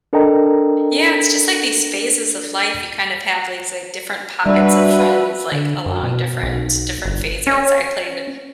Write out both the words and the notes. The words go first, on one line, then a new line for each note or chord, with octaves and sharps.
Yeah. It's just like these phases of life. You kind of have these, like, different pockets of friends, like, along different different phases. I played
D4 A4 A#4 D#5 G5 A#5
G3 D4 F#4 B4 E5
D3
F#2
B2
B1
G1
C#4